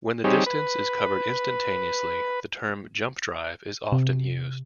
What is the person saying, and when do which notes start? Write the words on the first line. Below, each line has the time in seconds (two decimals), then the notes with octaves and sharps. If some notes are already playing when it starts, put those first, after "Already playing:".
When the distance is covered instantaneously, the term jump drive is often used.
0.24 G3 C4 D#4 G4 G#4 C#5
0.46 B4
3.92 C3